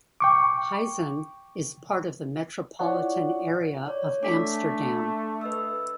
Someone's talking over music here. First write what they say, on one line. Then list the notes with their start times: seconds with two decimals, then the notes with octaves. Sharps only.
Huizen is part of the metropolitan area of Amsterdam.
0.20 G5 C#6 D6
2.79 E4 F4 C#5 D5 F#5 C#6
3.86 C#5 D5
4.23 A3 D4 D6 B6
5.41 B4 D#5 E6